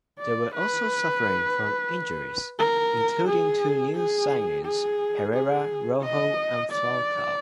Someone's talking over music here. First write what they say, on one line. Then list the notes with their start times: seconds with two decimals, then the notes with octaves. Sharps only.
They were also suffering from injuries, including to new signings Herrera, Rojo and Falcao.
0.19 D5
0.54 B4
2.59 A#4
3.27 G#4
3.96 G#4
4.65 G#4
5.34 G#4
6.02 D#5
6.72 D5